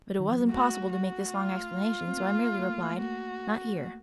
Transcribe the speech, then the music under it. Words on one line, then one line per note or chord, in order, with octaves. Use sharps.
But it was impossible to make this long explanation, so I merely replied: "Not here."
D#3
F3
F#3
A3 F#4
F#4
F4
C4
A#3
A3
A#3
A3
A3
A#3 F#4